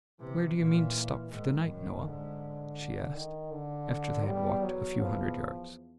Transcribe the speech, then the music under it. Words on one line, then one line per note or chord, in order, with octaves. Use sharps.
'Where do you mean to stop for the night, Noah?' she asked, after they had walked a few hundred yards.
C3 E3
A#2 E3
G#2 D#3
F#2
G#2 D3
D#3
D3
E2 G3
F#3
E2 F3